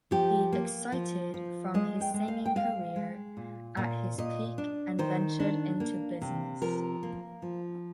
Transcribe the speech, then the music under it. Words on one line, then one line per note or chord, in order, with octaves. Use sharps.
He exited from his singing career at his peak and ventured into business.
F3 G4
A#3
F3
F3
G#3 D#5
G5
G#3
F5
G5
G#3 F5
G#3
A#2
A#2
A#2 D#5
D4
D#3 C5
D4
A#3
C3
F3 A#4
A#3
F3